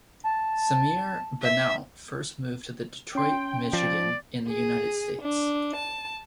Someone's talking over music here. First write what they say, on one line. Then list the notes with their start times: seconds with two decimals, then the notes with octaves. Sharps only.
Samir Bannout first moved to Detroit, Michigan, in the United States.
0.24 A5
1.42 E5
3.15 C#4 G5 C6
3.73 F3 D5
4.47 G#4
5.21 D4
5.75 A5